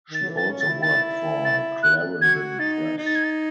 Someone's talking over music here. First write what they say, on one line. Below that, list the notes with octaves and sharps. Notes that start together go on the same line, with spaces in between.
She also worked for Clarendon Press.
D#3 A6
F#3
E3
A6
C#4
A6
E4
A6
A6
F#6
F#4 G#6
D#4 A6
D#4
A6
G#6
A6